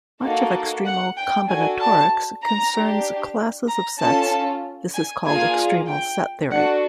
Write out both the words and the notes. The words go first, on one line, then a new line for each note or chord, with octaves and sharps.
Much of extremal combinatorics concerns classes of sets; this is called extremal set theory.
A#3 D#4 F#4 A4
F#5
G5
D4 F#4 A4 G#5
A5
A#5
D4 G4
A#5
C#4 F4 A4 A5
G#5
A#3 D4 F4 G#4 G#5
G5
D4 F#4 A4 F#5